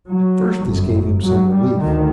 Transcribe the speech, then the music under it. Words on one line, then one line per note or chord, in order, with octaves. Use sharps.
At first this gave him some relief.
F#3
G1 F#2
F#3
G3
D2 D#3